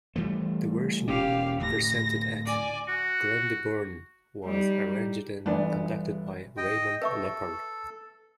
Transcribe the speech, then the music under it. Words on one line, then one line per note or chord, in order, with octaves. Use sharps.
The version presented at Glyndebourne was arranged and conducted by Raymond Leppard.
E3 G3 A3
E1 A#2 C#4 G4 F5
D1 A2 A#6
D5 G#5
F#4
G3 D#4
G1 E3 B3 D4
D#5 G5
A4 B4 E5 C#6